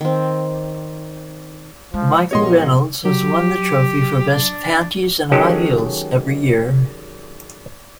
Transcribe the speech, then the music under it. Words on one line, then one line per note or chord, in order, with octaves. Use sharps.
Michael Reynolds has won the trophy for best panties and high heels every year.
D#3 C4
F3 G#3
A#1 A#2 B3 G4 C#5 D#5 C6
F#3 G4
D4
D#3 F#3 G#3 C#4 G4 A4